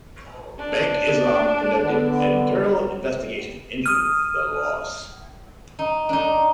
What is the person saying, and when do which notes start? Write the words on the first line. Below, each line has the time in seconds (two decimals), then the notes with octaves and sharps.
Bank Islam conducted an internal investigation into the loss.
0.59 D4
1.82 D3 B3
3.84 D#6 F6 D#7
5.79 D#4
6.09 D4 D#4